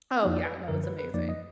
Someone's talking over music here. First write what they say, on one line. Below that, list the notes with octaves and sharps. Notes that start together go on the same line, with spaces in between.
Oh yeah, no, it's amazing.
F2 F3 A#3 D#4
D5
B4
F#2 D3 F3 A#4
B4
B4
F2 F3 A#3 D#4 D5
D#5